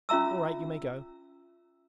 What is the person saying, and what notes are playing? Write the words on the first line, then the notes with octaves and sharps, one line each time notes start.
'All right, you may go!'
C#4 F4 E5 A#5 E6